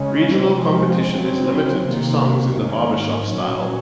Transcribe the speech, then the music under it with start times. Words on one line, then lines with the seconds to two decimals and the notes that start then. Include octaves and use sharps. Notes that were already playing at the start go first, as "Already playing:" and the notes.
Regional competition is limited to songs in the barbershop style.
Already playing: C#3 G#3 C#4
0.39 C3 F3 G#3 C4
1.11 C#3 F#3 C4
1.84 C3 D#3 A#3
2.56 G#2 D#3 A#3 C#4
3.28 A#2 F#3 C#4